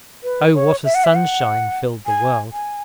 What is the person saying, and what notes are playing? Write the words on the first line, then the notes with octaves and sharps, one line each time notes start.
Oh! what a sunshine filled the world!
B4
C#5
E5
F#5
E5
F#5
G#5
G#5